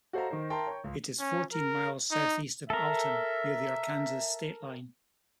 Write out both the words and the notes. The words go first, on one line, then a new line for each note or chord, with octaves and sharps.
It is fourteen miles southeast of Alton, near the Arkansas state line.
F#4 A4 C5 D#5 F5 A#5
D#3 D#4 A#4 C5
A#4 E5 G5 A5 A#5 C6
C#5 G5 C#6
C#2
C#4
A#4
D#4
A4 A#4 E5